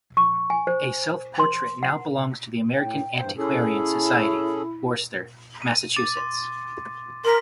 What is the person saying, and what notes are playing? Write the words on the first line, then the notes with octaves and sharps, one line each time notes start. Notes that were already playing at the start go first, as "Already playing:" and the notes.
A self-portrait now belongs to the American Antiquarian Society, Worcester, Massachusetts.
C#6
G#5
C5
C6
F#5
A2 G5
E2 G2 C5
C#4 E4 G#4 A4
D#7
D6 A6
C6
A#4 C6 B6